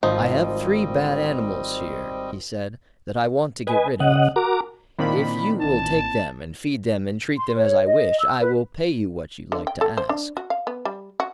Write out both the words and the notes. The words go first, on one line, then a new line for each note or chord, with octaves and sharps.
'I have three bad animals here,' he said, 'that I want to get rid of. If you will take them and feed them, and treat them as I wish, I will pay you what you like to ask.'
G#1 F3 G3 C4 D#4 D#5
B4 D#5 G#5
C#3 D#5 F#5
F#4 A#4 A#5 D6
A#2 D#3 A#3 C4 D4 E4 B5
A1 A5
C6
C#5
D#5
E6
B4
D3
G5
A4
C5
D4
F#4
F5
B3
G3
F#4